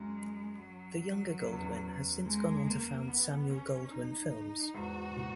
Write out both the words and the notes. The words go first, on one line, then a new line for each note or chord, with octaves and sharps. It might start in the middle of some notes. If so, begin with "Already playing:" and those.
The younger Goldwyn has since gone on to found Samuel Goldwyn Films.
Already playing: F#2 G#3
F#3
F#2
E2
F#2
G#3
A#3
B3
C#4
D#4
E2 G#2 F#4
A#2